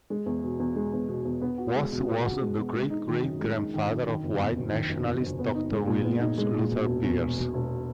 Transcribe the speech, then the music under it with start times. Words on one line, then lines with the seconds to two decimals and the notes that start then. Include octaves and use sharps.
Watts was the great-great-grandfather of white nationalist Doctor William Luther Pierce.
0.10 G#3
0.26 E2
0.44 B2
0.60 E2
0.75 G#3
0.93 E2
1.08 B2
1.25 E2
1.41 B3
1.58 F#4
1.75 G#3
1.92 B2
2.08 B3
2.24 F#4
2.42 G#3
2.58 B2
2.74 G#3
2.90 D#4
3.08 D#3
3.23 F#2
3.40 G#3
3.57 D#4
3.74 D#3
3.89 F#2
4.07 D#3
4.23 F#1
4.40 E2
4.56 F#1
4.72 D#3
4.89 F#1
5.05 E2
5.21 F#1
5.39 B3
5.55 D#4
5.71 G#3
5.87 A#2
6.04 B3
6.20 D#4
6.38 G#3
6.54 A#2
6.71 B2
6.86 E1
7.04 E2
7.20 E1
7.37 B2
7.53 E1